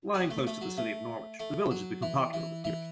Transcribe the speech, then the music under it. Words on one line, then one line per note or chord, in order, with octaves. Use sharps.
Lying close to the city of Norwich the village has become popular with commuters.
B3
A3
A3
F#3
A3
A3
F#3
E3
E3
E3